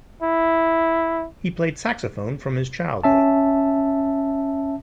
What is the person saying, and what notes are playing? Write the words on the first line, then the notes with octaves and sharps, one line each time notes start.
He played saxophone from his childhood.
E4
C#4 E5 A5